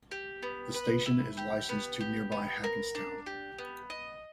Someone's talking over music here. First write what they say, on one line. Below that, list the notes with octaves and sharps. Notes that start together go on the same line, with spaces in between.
The station is licensed to nearby Hackettstown.
G4
B3
B4
E4
G4
B3
G4
B3
A#4
D4
G4
B3
D#5